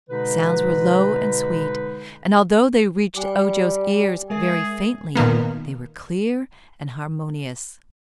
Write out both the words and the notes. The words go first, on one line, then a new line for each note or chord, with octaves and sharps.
The sounds were low and sweet and, although they reached Ojo's ears very faintly, they were clear and harmonious.
B2 D3 G#3 D#4 B4
G3 G5 G#5 D6
G#3 G#4 A#4 E5
A#2 D#3 A#3 B3